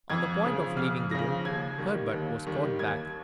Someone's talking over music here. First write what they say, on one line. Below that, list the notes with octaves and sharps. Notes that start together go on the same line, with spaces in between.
On the point of leaving the room, Herbert was called back.
F2 G#6
C#3 F3
F2 F6
C#3 F3 A#6
D#2 G#6
D#3 G3
D#2
D#3 G3
D#2 G#6